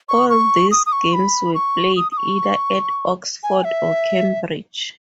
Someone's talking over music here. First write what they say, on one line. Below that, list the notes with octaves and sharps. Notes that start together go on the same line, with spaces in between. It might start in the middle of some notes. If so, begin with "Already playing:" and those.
All these games were played either at Oxford or Cambridge.
C#6
C#6
D#6
D#6
C#6
B5
C#6
D#6
D#6
C#6
G#5
E5